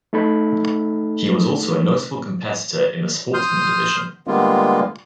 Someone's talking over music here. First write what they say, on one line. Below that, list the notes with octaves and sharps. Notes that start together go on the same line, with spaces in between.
He was also a notable competitor in the Sportsman Division.
A3 D#4 A4 B5
C6 D#6 F6 G6
D3 G3 G#3 A#3 B3 F4